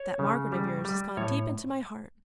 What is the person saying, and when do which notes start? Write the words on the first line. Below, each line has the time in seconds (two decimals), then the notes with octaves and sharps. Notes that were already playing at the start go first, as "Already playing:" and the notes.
'That Margaret of yours has gone deep into my heart.
Already playing: C#5
0.19 C#3
0.52 G3
0.85 G3
1.17 A2 C#5